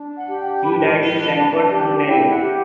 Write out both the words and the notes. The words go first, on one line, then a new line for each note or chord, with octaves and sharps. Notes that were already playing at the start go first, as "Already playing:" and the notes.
He died in Frankfurt, unmarried.
Already playing: D4
F#5
G4
G5
B4 B5
A5
G5
A5
B4
D4
G4
E4 G5
F#5
G4